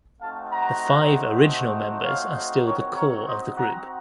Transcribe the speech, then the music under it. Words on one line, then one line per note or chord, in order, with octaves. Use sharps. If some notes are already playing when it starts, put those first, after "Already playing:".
The five original members are still the core of the group.
A3 C4 D#4 F#4 F5 A5
F#5 A#5
C#5 F5
C4 D#4 F#4 A#4 C#5
A#4 C#5
C5 D#5
F#5 A#5